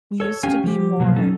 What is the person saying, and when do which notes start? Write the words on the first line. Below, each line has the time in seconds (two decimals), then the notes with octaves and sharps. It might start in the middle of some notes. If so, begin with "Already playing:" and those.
We used to be more
0.20 A4 C#5
0.43 C#4 G4 F5 G5 G#5
0.64 F3 G4
1.00 B2 F#3 A#3
1.16 F#3 C#4 D#4 A4